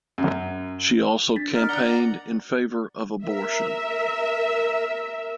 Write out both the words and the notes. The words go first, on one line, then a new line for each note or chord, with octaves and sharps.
She also campaigned in favour of abortion.
F#2
D4 A6 B6
D#4 A#4
D5 F#5 A#5 G7
A#4 E5